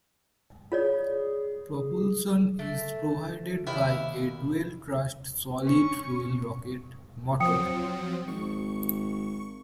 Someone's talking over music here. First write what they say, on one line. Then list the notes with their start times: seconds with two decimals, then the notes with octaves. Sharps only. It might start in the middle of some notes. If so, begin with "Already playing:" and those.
Propulsion is provided by a dual-thrust solid fuel rocket motor.
0.72 F4 G#4 C#5 D5
2.59 A3
3.67 D#2 E4 G5 G#5
5.63 C#4 C#6
7.40 F3 F#3 C4 G5 D#6 C#7
8.28 G#1 C#6